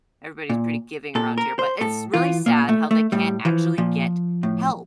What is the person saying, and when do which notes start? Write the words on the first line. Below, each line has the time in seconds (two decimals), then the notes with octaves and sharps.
Everybody is pretty giving around here, but it's really sad how they can't actually get help.
0.50 A#2
1.15 A#2 A4
1.38 A#4
1.59 C5
1.81 A2 A4
2.14 E3 F4
2.46 A#2 A#3
2.69 A3
2.91 A3
3.12 A2 G3
3.45 E3 F3
3.78 A#2 F3
4.43 A2